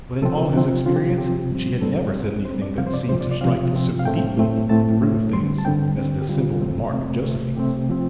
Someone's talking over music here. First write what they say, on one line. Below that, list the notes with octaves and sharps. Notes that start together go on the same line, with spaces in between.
But in all his experience she had never said anything that seemed to strike so deeply at the root of things as this simple remark of Josephine's.
C3 F3 C4 A4
C3 F3 C4
C3 F3 C4 F4
G4
F4
C3 F3 C4 G4
G2 G3 C4
G2 G3 C4 A4
G2 G3 C4
G2 G3 C4 C5
D5
C3 F3 C4 F5
C5
D5
C3 F3 C4 C5
D5
D5
C3 F3 C4 F5
C3 F3 C4
F5
A2 A3 C4 G5
A2 A3 C4
A2 A3 C4 A5
A2 A3 C4
G2 D3 G3 C4 C6
A5
G2 D3 G3 C4 G5
G2 D3 G3 C4
G4
G2 D3 G3 C4 F4
C3 A3 C4
C3 A3 C4
C3 A3 C4
C3 A3 C4 G4
F3 C4